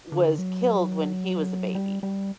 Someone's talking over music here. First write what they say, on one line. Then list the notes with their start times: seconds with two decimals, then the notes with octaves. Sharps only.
was killed when he was a baby.
0.12 D3
0.38 F#3
1.75 G3
2.03 G3